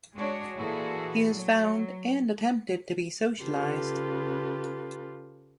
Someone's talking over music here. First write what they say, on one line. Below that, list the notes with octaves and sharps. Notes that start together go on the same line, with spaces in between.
He is found and attempted to be socialized.
G#3 D4 F#4 G#4 C#5
A#2 E3 E4 F#4 G#4 A4
F#3
C#3 F4 G4 A4 B4